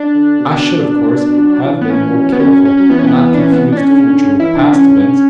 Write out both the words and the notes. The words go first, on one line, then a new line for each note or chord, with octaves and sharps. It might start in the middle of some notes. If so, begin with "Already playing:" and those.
I should, of course, have been more careful, and not confused future with past events.
Already playing: D4
D3
B2
B2
A2
B2
F#3
E3
B3
E3 C#4
F#3
E3
F#3
B3
F#3 C#4
C#4
C#4
F#3 C#4
E3 B3
C#4
B3
D4
C#4
B3
D4
C#4
D3
C#3
D3
E3 E4
D4
E3
C#4
D3
D3